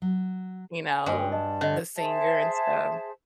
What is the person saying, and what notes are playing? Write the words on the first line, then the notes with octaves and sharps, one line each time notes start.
you know, the singer and stuff.
F#3
G#5
G2 F#4 D#5 G#5 D#6
G5
D#5 A5
D3 C#5 D#5
G#4 C5 E5 A5